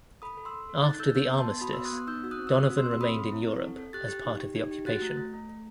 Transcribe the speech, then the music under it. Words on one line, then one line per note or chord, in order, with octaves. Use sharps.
After the Armistice, Donovan remained in Europe as part of the occupation.
A4 B5 D#6
A4
C6 E6
A4
A4
D#4 F#6 A6
A4 E6 G6
B3 E6 G6
B3
A5 C6
B3
F#4 B5 D#6
C6 E6
B3
D#6 F#6
B3
D#4 E6 G6
F#4 E6
D#6 F#6
C4
E6
C4 D#6 F#6
F#4
C6 E6
C4
C6
A4 B5 D#6
C4
E4
C4
A4
A4
G4 F#6 A6
G4
D#4
G4
D#4
G4
F#4 F#6 A6
A3
A3
A3
A3